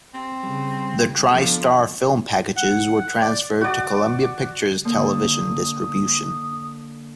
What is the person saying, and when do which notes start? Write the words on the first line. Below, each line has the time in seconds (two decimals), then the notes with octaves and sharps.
The Tri-Star film packages were transferred to Columbia Pictures Television Distribution.
0.14 C4
0.43 C#3 G3
1.30 F3 B3 D4 F4 A4
2.56 F#5
3.21 D5
3.61 F#4 D5
4.85 D3 A#3 D#6